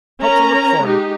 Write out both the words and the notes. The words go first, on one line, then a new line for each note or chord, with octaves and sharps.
Help to look for him!
C#4 A#4 A#5
G#3 D#4 G4